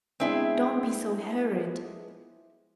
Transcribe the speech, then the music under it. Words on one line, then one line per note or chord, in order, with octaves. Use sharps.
Don't be so hurried!
G#3 B3 C4 D4 E4 G#4